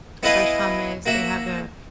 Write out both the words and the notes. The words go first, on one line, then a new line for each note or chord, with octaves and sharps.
Fresh hummus, they have the
B3 E4 B4 D#5 F5 G#5
A#3 F#4 E5